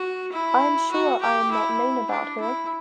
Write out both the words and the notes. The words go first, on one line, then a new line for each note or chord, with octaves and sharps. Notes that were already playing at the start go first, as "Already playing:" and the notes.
I am sure I am not mean about her.
Already playing: F#4
E4
F#4
G4
E4
D4
E4